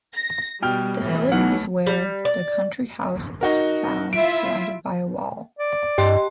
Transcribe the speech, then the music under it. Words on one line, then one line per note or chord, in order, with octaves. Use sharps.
The hillock is where the country house is found surrounded by a wall.
A#6
B2 G3 G5 F6
A2 E3
B1 B2 E3 F#3 A3 F#5 F6
G3
D5
D#4 F#4 A#4
E4 F4 E5 D7
D5
G2 G4 D#5 C6